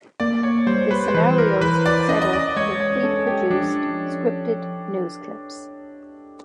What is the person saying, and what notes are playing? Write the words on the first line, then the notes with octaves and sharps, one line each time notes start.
The scenarios were set up with pre-produced scripted news clips.
A#3 D5
C#5
G3 C5
B4
C5
E3 B4
A#4
E3 B4
D5
C#4 D#5
D#5
D5
G#3 C#5
C#5
C#4 A4
G4
F3 D4